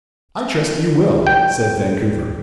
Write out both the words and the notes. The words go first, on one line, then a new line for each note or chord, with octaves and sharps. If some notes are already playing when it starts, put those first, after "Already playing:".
"I trust you will," said Vancouver.
G5